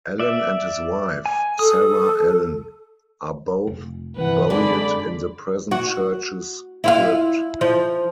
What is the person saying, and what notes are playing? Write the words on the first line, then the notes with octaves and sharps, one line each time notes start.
Allen and his wife, Sarah Allen are both buried in the present church's crypt.
D5 E5
G#5
A4 D#6
F1
G1 C3 E3 B4 F#5
F#2 D3 G#3 C4 D5 B5
F#4
E4 F4 F5
F3